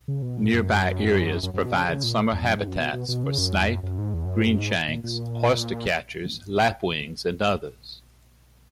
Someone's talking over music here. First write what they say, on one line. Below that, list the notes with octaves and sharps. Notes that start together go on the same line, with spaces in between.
Nearby areas provide summer habitats for snipe, greenshanks, oystercatchers, lapwings and others.
C#3
B2
A#2
F#2
F#2
F#2
B2
C#3
C#3
A#2
E2
F#2
G#2
F#2
B2
B2
B2
C#3
F#2
E2
F#2
F#2
G#2
E2
F#2
G#2
F#2
G#2
A#2
A#2